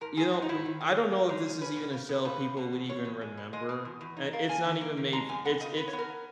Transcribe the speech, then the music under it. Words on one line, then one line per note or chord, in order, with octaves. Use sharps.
you know, eh I don't know if this is even a show people would even remember, and it's not even made f it's it's
G#2 A#4
G#2 G#4
G#2 F#4
D#4
D#3 E4
D#3
D#3
A#3
A#3
G#3 D#4
C#4
C#4 B4
B2
C#3
B3
C#3 B4
C#3
B2
E2
E2 C#5
E2
G#3
B2
G#3 D#5
B2
E2
E2
D#4
A#3
A#3 G#5
D#3
A#3
D#3
G#3 A#5
F#2 G#5
B3 F#5
C#3 D#5
B3 B4
C#5
B3
A#4
B3